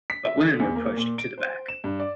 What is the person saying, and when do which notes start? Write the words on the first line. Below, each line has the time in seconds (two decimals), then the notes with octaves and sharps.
But women were pushed to the back.
0.10 B6
0.25 E5
0.42 D3
0.60 E2
0.75 A#3
0.97 A#2
1.18 D7
1.38 C5
1.68 E7
1.84 G2
2.00 D5